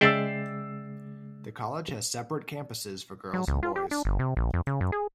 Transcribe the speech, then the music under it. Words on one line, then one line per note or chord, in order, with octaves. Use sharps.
The college has separate campuses for girls and boys.
C#3 G#3 D5 E5 G5 E6 A6 C7
F#3
C#2
F4
G4
D4
G1
C3
A#1
F2
C#3
F#2
G#4